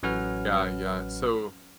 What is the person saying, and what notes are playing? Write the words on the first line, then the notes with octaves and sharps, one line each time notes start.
Yeah, yeah, so,
A1 F#3 C#4 B4 F#5 F6